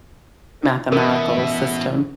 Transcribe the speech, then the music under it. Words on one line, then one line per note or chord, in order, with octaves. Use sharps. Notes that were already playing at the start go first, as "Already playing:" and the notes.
Mathematical system?
B2 E3 C#4 A#4 E5